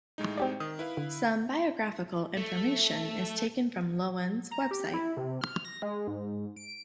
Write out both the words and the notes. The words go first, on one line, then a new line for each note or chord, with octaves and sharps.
Some biographical information is taken from Loewen's website.
A2 G#3 D#4
C4 G4 D5
D#3 D#6
E4 B4 F5
D3
A3
A#5
G4
E4
C3
F6
A#6
G#3
G#2
D7